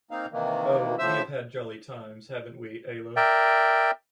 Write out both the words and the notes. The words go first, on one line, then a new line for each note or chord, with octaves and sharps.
Oh, we have had jolly times, haven’t we, Ayla?
A#3 C4 D#4 F5
C3 D#3 E3 A#3
A2 F3 C5 E5 E6
A#4 D5 E5 G5